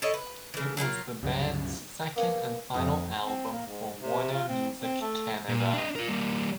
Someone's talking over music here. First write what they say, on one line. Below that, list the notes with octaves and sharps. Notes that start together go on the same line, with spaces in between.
It was the band's second and final album for Warner Music Canada.
E4 A4 C#5 D#5
B4
C#3 E3
F#3 A#3 E4 F4
C#2 G2 C#3 F#3
A#3 B3 G#5
F2 D#4
C4
A#3
G#2
C3
F4
C4
C4
A3
A#2
D4 D#5
F4 A#4
G3 A#3